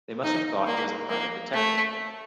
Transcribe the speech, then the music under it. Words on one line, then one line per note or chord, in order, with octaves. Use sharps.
They must have thought he was a private detective.
D#4
A#3
A#3
A3